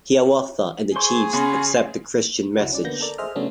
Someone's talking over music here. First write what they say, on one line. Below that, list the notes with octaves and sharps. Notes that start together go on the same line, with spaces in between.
Hiawatha and the chiefs accept the Christian message.
G#4 C5 C6 C#6
C#3 C#4 F#4 B5 C6
C#2 F#3 E4 F#5
C#4 D5
D3 A#3 B3 G6 A#6
A4 A#4 D5
G#4 C5 D#5 E5 F6
C#3 F#3 A3 B3 C#4 D4